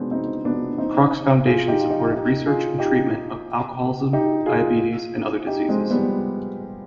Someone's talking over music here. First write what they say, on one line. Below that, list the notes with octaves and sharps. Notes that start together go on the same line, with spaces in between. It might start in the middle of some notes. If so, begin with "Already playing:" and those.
Kroc's foundation supported research and treatment of alcoholism, diabetes, and other diseases.
Already playing: G#3 B3 C4 D4
C4 D#4
B3 D4
C4 D#4
F4 G#4
D#4 G4
F4
D#4 G4
D#4 G4
F4 G#4
D#4 G4
D#4 G4
F4 G#4
D#4 G4
G#3 C4
G3 B3